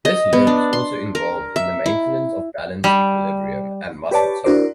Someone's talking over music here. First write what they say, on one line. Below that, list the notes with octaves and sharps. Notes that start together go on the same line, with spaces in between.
This lobe is also involved in the maintenance of balance equilibrium and muscle tone.
D#5
B3
D4
C6
A#4
E5
E4
G3
G4 B4 C#5 D5 A5
D4 E4 F#4 A#4 C5 D5